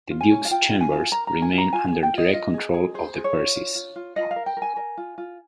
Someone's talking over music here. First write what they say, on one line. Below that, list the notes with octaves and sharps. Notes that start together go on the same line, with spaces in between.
The Duke's Chambers remained under direct control of the Percys.
F4
G#5
C#4
F5
F4 G5
F4
G#5
F4
A#4 A#5
A#4 A#5
G#5
F4
A#5
F4 G#5
G#4 G#5
G5
F4 D#5
F4 D#5
G#4
G#4
G#4 C5
G#4
C#5
F4
F4
F4
F4
F4 D#5
F5
A#4
G5
A#4
G#5
A#4
F4
F4